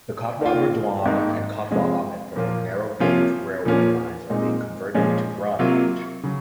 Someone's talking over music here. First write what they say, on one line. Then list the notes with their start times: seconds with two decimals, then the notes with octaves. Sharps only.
The Katwa-Burdwan and Katwa-Ahmedpur narrow gauge railway lines are being converted to broad gauge.
0.41 D#3 A#3 F4
1.06 G#2 D#3 A#3 D#4
1.71 C3 F3 G#3 C#4
2.36 A#2 F3 A#3 F4
3.00 C3 F3 A#3 C#4 F4
3.65 A#2 F3 A#3 C#4 F4
4.30 A#2 G#3 C4 D#4
4.95 A#2 F3 G#3 C#4
5.59 C3 F#3 A#3 F4
6.23 C#3 F#3